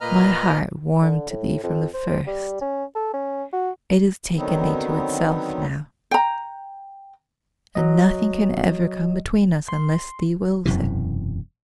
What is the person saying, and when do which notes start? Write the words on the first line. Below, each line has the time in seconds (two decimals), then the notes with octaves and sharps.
My heart warmed to thee from the first: it has taken thee to itself now; and nothing can ever come between us, unless thee wills it.
0.01 A#2 A#3 B4 D#5 A#5 F6
1.01 D3
1.30 A2
1.63 F2
1.94 C5
2.27 G3
2.62 C#4
2.95 A4
3.14 C#4
3.53 F#4
4.36 D3 D#3 F#3 B3 C4 D#4
6.11 G5 A#5
7.75 F#3 D#5
9.68 C6
10.66 E1 F#2 C3 E3